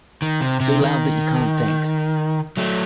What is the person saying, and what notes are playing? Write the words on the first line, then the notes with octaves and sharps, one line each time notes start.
So loud that you can't think.
D#3
C3
C3
D#3
F#3 A3